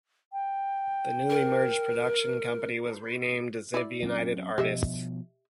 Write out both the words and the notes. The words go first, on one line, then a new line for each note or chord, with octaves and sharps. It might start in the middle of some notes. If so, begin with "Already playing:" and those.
The newly merged production company was renamed Ziv-United Artists.
G5
A#4
E4 D5
F#3 C4 C#4
B2 F3 G4 D#5 E5